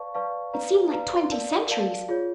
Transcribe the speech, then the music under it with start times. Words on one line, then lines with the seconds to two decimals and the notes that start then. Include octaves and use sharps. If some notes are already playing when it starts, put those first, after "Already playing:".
It seemed like twenty centuries.
Already playing: B4 D5 F5 A5 C#6
0.15 B4 D5 F5 A5 C#6
0.53 B4 D5 F5 A#5
0.93 B4 D5 F5 A#5
1.31 A#4 D5 F5 A5
1.69 A#4 D5 F5 A5
2.09 F4 G#4 C#5